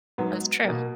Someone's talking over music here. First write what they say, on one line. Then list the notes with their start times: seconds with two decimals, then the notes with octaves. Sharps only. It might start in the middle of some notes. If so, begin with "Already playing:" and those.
That's true.
0.18 G#2 F#3 B3
0.64 B2 A#3